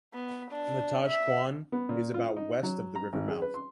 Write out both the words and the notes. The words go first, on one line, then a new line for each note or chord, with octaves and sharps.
Natashquan is about west of the river mouth.
B3
D4
E5
B3
A#2
F4
D#4
F#3
A#5
G#1
G#4
B4
C6